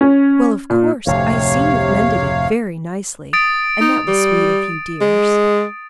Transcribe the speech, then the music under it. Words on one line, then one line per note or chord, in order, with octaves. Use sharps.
'Well, of course, I see you've mended it very nicely, and that was sweet of you, dears.'
C#4
A#2
F1 D2 A2 C3 C#5 F5
D#6 A6 D7
D#4
G3
G#3